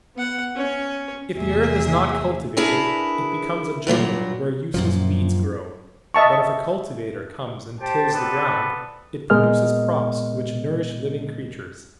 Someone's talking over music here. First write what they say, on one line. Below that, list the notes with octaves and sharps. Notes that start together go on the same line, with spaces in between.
If the earth is not cultivated, it becomes a jungle where useless weeds grow; but if a cultivator comes and tills the ground, it produces crops which nourish living creatures.
B3 F#5
C#4 C#5
E2 A2 C3 A#3 G#4 E5
D4 E4 G#4 A#4 B4
G2 A#2 D#3 F#3
F#2 A#2 F3
D#5 E5 A5 C#6
G4 C5 G5 A5
B3 C4 A4 B4 D5
A#2 G#3 B3 A#4 D#5 F6